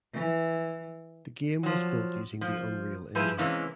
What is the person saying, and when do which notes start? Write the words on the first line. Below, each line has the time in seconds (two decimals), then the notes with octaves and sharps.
The game was built using the Unreal Engine.
0.13 E3
1.63 F3 F#3
2.41 F3
3.15 F3 G3 E4 G#4 B4
3.38 C3 E3 G#3 A#3 C#4